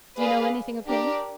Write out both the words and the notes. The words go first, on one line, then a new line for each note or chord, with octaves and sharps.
Do you know anything of him?
G#4 B4 D5 F5
D4 G4 A#4 D5